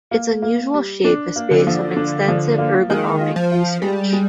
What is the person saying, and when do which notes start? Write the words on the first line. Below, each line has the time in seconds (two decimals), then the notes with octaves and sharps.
Its unusual shape is based on extensive ergonomic research.
0.11 A#3
0.42 A#3
0.74 G3
1.04 D4
1.36 A#3
1.51 D3
1.67 F3
1.96 D4
2.28 F3
2.58 A#3
2.90 D#3 G#3
3.20 F4
3.36 F3
3.52 F4
3.82 G3 G#3
4.13 G#3